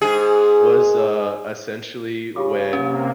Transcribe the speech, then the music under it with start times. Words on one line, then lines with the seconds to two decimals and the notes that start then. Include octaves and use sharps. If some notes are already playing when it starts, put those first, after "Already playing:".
was, uh, essentially when
0.02 G#2 G#4
2.36 C#3 F4 G4 D6
2.73 C3 A#3 C#4